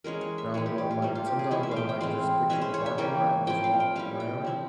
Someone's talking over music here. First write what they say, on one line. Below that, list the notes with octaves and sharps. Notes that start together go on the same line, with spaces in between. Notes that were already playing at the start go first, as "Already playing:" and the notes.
know, I'ma go I might sometimes I'll, like, just stick to the parking lot and just walk around
E3 G#3 C#4 A#4
C#5
E5
E3 G#3 E4 C#5
G4
G4
F4
G3 A#3 C#4
F4
G4
G#4
E3 G#3 C#4 E4
E5
F5
G5
G5
E3 G#3 C4 F5
E3 G#3 C#4 E5
C5
C#5
E5
E3 A#3 C#4 G5
F3 C4 E4 G5
F5
G5
G3 C#4 E4 F5
G5
F3 C4 E4